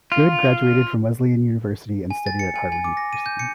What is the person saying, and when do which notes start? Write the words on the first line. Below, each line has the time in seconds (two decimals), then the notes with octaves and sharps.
Goode graduated from Wesleyan University and studied at Harvard University.
0.12 F4
2.10 G#5
2.27 A6
2.39 C#7
2.56 G#5
2.72 G#5
2.84 D6
2.97 A#6
3.13 D#7
3.26 G6
3.39 C#7